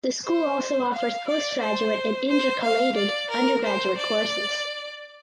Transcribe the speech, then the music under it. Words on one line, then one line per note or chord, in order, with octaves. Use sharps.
The school also offers postgraduate and intercalated undergraduate courses.
C5
F5
D5
C5
C5
F5
D5
A#4
C5
D5